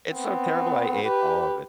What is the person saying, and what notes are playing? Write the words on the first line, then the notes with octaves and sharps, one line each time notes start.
It's so terrible, I ate all of it.
B3 C4
G4 B4